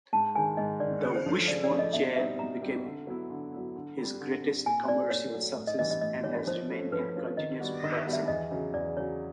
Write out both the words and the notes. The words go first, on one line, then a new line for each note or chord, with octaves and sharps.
The Wishbone Chair became his greatest commercial success and has remained in continuous production.
G#2 A5
D#3 G#3 G#5
G#2 D#5
D#3 G#3 D5
C#3 C#5
C5
F3 A3 C#5
C#3 D5
D5
F3 A3
D#5
B2 E5
G3 C4 D#4 E5
B2 A#5
G3 C4 D#4
D3
F#3 B3 E4
D3
F#3 B3 E4
D3
G3 C4
D3
G3 C4
A#2 G#5
F#3 A3 D5
A#2 C#5
F#3 A3
A2
D#5
E3 G3 B3 D4 D#5
D#5
A2 D#5
E3 G3 B3 D4 C#5
F3 C5
A3 C#4 F4
F3 B4
A3 C#4 F4
D#3 D#5
G3 B3 D4 F#4
D#3 D#5
E5
G3 B3 D4 F#4
E5
E2 D#5
C#3 F#3
E2 D5
C#3 F#3 C#5